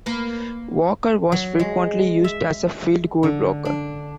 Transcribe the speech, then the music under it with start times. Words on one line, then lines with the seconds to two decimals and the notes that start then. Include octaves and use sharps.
Walker was frequently used as a field goal blocker.
0.06 A#3 B4
1.32 F#3
1.59 G#3
2.24 E5
3.23 D3
3.65 D4